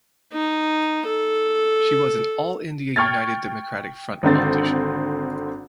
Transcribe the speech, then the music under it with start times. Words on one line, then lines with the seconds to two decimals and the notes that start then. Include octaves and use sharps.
She was an All India United Democratic Front politician.
0.33 D#4
1.06 A4
2.96 G5 C#6 F6 G#6 A6
4.23 G#1 D3 C4 A6